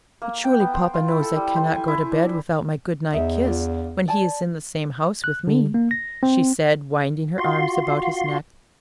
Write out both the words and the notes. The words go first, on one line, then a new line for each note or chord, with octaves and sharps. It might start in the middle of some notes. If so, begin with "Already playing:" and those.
"But surely papa knows I cannot go to bed without my good-night kiss when he is in the same house with me," she said, winding her arms about his neck.
A#3
G5
B3
C5
F4
E4
A4
G3
C5
G#5
E4
D4
E2 D#4 E5
D4 F4
D5 G#5 A5
F#6
D3
A#3
A#6
C4
F4 F#4 C6